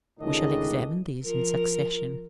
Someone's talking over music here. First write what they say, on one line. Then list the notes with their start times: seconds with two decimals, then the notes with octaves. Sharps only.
We shall examine these in succession.
0.20 C#2 A2 D#3 G#3 D4 D#5
1.24 F3 A#4